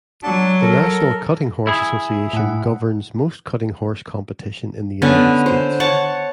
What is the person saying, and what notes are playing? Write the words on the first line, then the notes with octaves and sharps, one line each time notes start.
The National Cutting Horse Association governs most cutting horse competition in the United States.
F#3 D4 A5
A4 A#4
E4 G#4
A2 F#5
D3 B3 C#4
C5
C#5 F#5 A5